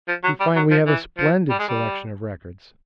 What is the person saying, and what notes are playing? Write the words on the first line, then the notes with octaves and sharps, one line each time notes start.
We find we have a splendid selection of records.
F3
F#3
G3
F#3
F3
E3
F3
G3
G#3
G3